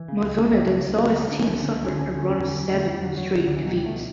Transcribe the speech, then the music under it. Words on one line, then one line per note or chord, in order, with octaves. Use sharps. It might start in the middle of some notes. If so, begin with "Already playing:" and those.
Mazzone then saw his team suffer a run of seven straight defeats.
Already playing: E3
C#3
C#2
C#3
A3
C#2 G3
C#3 A3
C#2
C#3 F#3
D2 G3
A3
D3 D4
D2 C#4
A3
D3 C#4
D2 D4
D3 C#4
D4
D2 C#4
D3 C#4
E2 C#4
D3 C#4
E2 C#4
D3 A3
E2 G3
D3 F#3
E2 F#3
D3
C#2 D3
E3
B2 F#3
C#2 G3
A3
B2